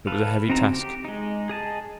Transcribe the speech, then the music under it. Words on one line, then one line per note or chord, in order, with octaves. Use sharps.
It was a heavy task.
A4 B4 F5
C#3 C4 D#4 F#4 A#5
G4
G#3 D#4
G#4 D#5 A5